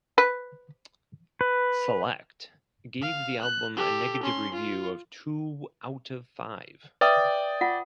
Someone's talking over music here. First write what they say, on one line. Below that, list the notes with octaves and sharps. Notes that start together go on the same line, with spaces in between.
"Select" gave the album a negative review of two out of five.
B4
B4
F5
F#6
G4 A4
C#4 C6
F4
B4 D5 E5 G5 D#6
F4 F#5